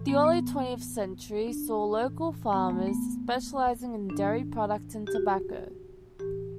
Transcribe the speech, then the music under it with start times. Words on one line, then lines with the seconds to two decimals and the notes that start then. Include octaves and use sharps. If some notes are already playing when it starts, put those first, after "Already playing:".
The early twentieth century saw local farmers specializing in dairy product and tobacco.
Already playing: A2 E3
0.09 B3
0.25 B3
1.48 D4
2.01 A2 E3
2.53 B3
2.70 A3
2.87 B3
4.09 A2 E3 D4
5.07 G4
5.15 F#4
6.19 A2 E3 G4